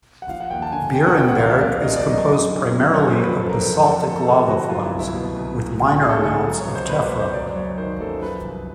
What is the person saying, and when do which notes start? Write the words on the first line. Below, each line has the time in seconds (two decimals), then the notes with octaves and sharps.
Beerenberg is composed primarily of basaltic lava flows with minor amounts of tephra.
0.22 F#5
0.29 F3 F5
0.40 F#5
0.51 D#2 G5
0.62 A5
0.72 D3 G#5
0.94 D#2 G5
1.07 F#5
1.17 F3 G5
1.29 F#5
1.39 C2 F5
1.50 E5
1.61 A#2 D5
1.83 C2 D#5
1.96 D5
2.06 F#3 D#5
2.28 F#2
2.49 D#3
2.71 F#2
2.94 F#3 C#5
3.08 C5
3.15 F2
3.23 B4
3.37 C#3 A4
3.49 A#4
3.59 F2 A4
3.74 A#4
3.82 F3 A4
3.97 A#4
4.04 D2
4.09 A4
4.25 C3 G#4
4.47 D2 F#4
4.69 F#3 F4
4.84 E4
4.92 C2
5.00 E4
5.14 B2
5.36 C2
5.57 F3
5.80 D2
6.01 C3 G#4
6.09 A4
6.17 G#4
6.23 D2 A4
6.46 F#3
6.60 C#5
6.68 C#2
6.75 C5
6.89 B2 B4
7.05 B4
7.11 C#2
7.19 C5
7.34 F#3 D5
7.56 F#2 C#5
7.78 D#3 C5
8.00 F#2 A4
8.22 F3 B4
8.44 C2